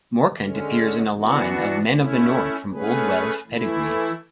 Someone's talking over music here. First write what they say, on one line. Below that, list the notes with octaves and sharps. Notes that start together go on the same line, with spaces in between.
Morcant appears in a line of "Men of the North" from Old Welsh pedigrees.
D3 G#3 C#4
E3 B3 D4 F#4
A3 C#4 E4
A3 C#4 G#4 B4
E3 A3 E4